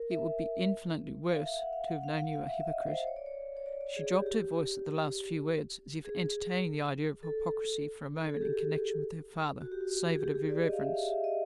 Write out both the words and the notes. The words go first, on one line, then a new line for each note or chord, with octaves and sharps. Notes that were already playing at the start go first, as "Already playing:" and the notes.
It would be infinitely worse to have known you a hypocrite.' She dropped her voice at the last few words, as if entertaining the idea of hypocrisy for a moment in connection with her father savoured of irreverence.
Already playing: A#4
E5
F5
E5
F#5
F5
F#5
F5
F5
F5
E5
E5
D#5
C5
C#5
D5
C#5
C#5
D5
D5
G#4
G4
G4
G#4
A4
A4
G#4
G4
F#4
G4
F#4
G#4
G4
G#4
D5
D#5
F5
E5
F5
E5
D#5